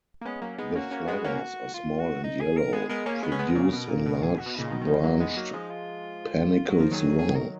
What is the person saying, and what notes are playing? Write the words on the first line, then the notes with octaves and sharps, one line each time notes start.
The flowers are small and yellow, produced in large branched panicles long.
A#3
G#3 B3 C#4
F#3 A#3 C#4
G#3 B3 D#4
A#3 C#4 F#4
A#3 C#4
G#3 B3
A#3 C#4
F4
F#4
D#4
G#4
A#4
G#3 B3 G#4
G#3 B3 A#4
A#3 C#4 G#4
G#3 B3 B4
C#4
G#3 B3
A#4
A#2 C#3
B2
A#2
B2
A#2 G#4
B2
F#4
B2
A#2 C#3 D#4
B2 D#3
D#3
C#3 F3
F#3 A#3
G#3 B3
F#3 A#3
F3 G#3
F4
F#3 A#4
F3
D#3 F#3 G#4
G#4
A#4